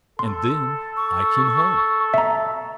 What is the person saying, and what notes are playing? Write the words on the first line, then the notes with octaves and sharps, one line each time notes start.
And then I came home.
A4 C6
C#6
E5 A#5